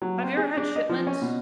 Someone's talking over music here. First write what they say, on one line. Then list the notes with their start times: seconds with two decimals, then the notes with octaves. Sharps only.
Have you ever had chitlins?
0.02 F#3
0.23 C4
0.37 G#4
0.57 D4
0.76 D#5
0.89 F3
1.07 C#4
1.22 B2